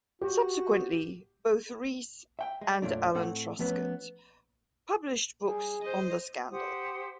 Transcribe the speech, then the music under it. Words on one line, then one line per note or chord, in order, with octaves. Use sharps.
Subsequently, both Reese and Alan Truscott published books on the scandal.
F#4 G4
E5 G5
G#3
F2 A#2 F3 F#3 A3 D4
A2 C4 A4 F#5
F3 A3 B3 C#4 B4
G3 G#4
C5 D#5
G4 C5 F#5 D#6